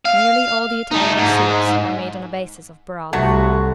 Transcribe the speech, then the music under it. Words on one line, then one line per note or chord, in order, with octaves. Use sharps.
Nearly all the Italian soups are made on a basis of broth.
F5
A3 D#4
G#2
C2 F#3 A3 F#4 A4